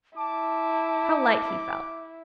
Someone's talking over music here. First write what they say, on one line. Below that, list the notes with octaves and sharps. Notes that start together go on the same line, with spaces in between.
How light he felt!
E4 A5 D6